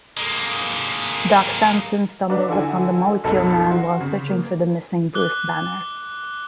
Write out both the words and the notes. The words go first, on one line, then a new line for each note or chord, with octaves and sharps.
Doc Samson stumbles upon the Molecule Man while searching for the missing Bruce Banner.
G#3 A#3
D4 F#4 B4
D3 E4 F#4 G#5
B1 F#2 B2 A4 B5
F#4 C6
C#3
A#3
D6 F#6 G7